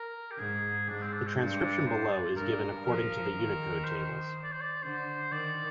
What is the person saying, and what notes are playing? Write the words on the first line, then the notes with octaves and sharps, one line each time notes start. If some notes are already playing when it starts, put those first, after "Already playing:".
The transcription below is given according to the Unicode tables.
Already playing: A#4
G4
G#2 G#4
G#2 D4
C4
D4
C4
G2 C4
D4
C5
D5
G2 A#4
F3 A#4
D#3
C5
D5
C5
D5
D3 C5
D#3 D5